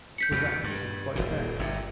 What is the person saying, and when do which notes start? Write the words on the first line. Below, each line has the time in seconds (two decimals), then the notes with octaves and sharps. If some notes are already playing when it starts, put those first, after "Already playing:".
"Was that acting quite fair?"
0.18 G6 B6 C#7
0.32 E2 B2
0.64 G2
1.15 D#1 G#1 A#2
1.59 G1 G2 A#2